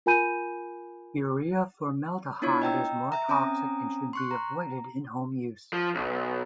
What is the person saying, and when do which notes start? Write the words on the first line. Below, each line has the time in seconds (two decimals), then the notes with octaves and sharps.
Urea-formaldehyde is more toxic and should be avoided in home use.
0.06 F4 A#4 G#5 B5 G6 D#7
2.42 B3 D4 E4 F4 C#5 G#6
2.62 D#5 G5 A#5 E6
3.12 E5 A#5
3.29 C4 C#4 G#5 A#5 D#6
4.13 C6 C#6 F#6
4.31 A#5
5.73 F3
5.95 B1